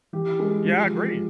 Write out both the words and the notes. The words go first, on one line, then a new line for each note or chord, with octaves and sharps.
Yeah, I agree.
E3 G4
G#3
F3